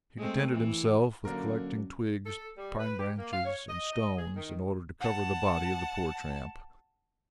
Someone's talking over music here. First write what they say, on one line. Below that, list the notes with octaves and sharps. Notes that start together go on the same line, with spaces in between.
He contented himself with collecting twigs, pine-branches, and stones in order to cover the body of the poor tramp.
G#3 A3 C4
E3
F#2 D3 A#3 A#4
A4
G3
B4
G4
A#3
F5
C#5
D#5
D#5
G#4
D#3
F#5 A5